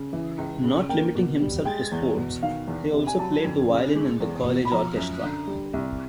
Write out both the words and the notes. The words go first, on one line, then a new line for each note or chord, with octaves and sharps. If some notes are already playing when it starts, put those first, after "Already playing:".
Not limiting himself to sports, he also played the violin in the college orchestra.
Already playing: C#3
E3
C#2
C#3
A#3 G5
B2
G3
G#3 G5
E2
B2
D#3 F5
E2
C3
G#5
F#3 A5
F2
C#3
G#3
E2
B2
B5
F3 A#5
F#2
D3
G3
C2